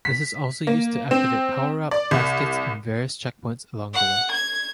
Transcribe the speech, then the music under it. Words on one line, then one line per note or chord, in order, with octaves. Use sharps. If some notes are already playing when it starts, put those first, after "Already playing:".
This is also used to activate powerup baskets and various checkpoints along the way.
B6
A#3
C4
D5
C2
F#5
G#6